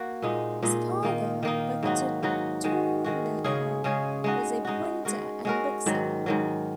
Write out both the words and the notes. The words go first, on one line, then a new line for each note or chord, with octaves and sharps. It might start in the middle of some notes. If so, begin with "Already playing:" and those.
His father, Victor Tournachon, was a printer and bookseller.
Already playing: A#3 F#4
A#2 G#3 D#4
A#2 G#3 D#4
D#3 A#3 D#4
D#3 A#3 D#4
G#2 F#3 D#4 F#4
G#2 F#3 D#4 F#4
D#3 G#3 F#4
D#3 G#3 F#4
C#3 G#3 C#4 G#4
C#3 G#3 C#4 G#4
G#3 D#4 F#4
G#3 D#4 F#4
G#3 C#4 F#4 A#4
G#3 C#4 F#4 A#4
G#2 D#3 F#3
G#2 D#3 F#3